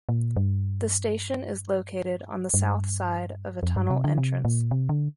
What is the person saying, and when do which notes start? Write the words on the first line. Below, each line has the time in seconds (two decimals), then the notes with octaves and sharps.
The station is located on the south side of a tunnel entrance.
0.09 A#2
0.36 G2
2.54 G2
3.63 F2
3.76 G2
3.90 C3
4.04 D3
4.18 C3
4.45 A#2
4.71 C3
4.89 D3